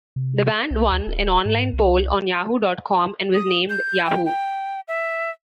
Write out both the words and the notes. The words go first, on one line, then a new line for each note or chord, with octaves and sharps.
The band won an online poll on Yahoo dot com and was named Yahoo!
C3
C2
D2
D1
G#2
C2
D#6
G6
G5
G5
E5